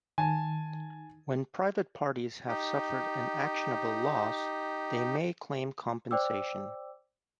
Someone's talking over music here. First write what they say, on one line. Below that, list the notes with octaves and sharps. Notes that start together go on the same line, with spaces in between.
When private parties have suffered an actionable loss, they may claim compensation.
D#3 G#5 A5
D#4 G4
C5 D5 G5 D6 E6